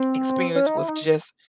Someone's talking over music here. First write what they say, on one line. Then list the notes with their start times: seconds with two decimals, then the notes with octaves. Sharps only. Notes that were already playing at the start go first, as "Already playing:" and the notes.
experience with just
Already playing: C4
0.56 C#4
0.66 D#4
0.77 E4
0.88 D#4